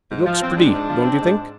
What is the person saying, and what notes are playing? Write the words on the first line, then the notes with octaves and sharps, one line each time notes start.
It looks pretty, don't you think?
G#2
F3
C4
G#2 D4
G#2
F3
C4
G#2